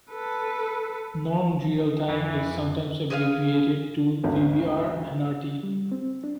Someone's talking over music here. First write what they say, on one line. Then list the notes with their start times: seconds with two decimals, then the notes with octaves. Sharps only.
Non-real-time is sometimes abbreviated to vbr-nrt.
0.11 A4 B4
2.08 F2 E3
3.10 G#4 B4 E5 F5
4.24 A1 D2 G#2 C#3 B3 C#4
5.63 G3
5.92 C4
6.24 D4